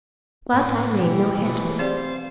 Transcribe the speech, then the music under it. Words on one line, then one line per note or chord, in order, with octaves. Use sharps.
But I made no headway.
A2 D3 B3
B2 E3 G4
G#2 A3 B3
C4 G4 C5 D5 F5